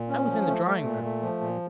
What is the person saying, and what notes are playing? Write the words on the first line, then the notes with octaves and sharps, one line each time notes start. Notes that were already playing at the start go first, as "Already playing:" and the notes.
"I was in the drawing-room."
Already playing: A#2
C#4
F3
A3
A3
A#2
A3
F3
A#2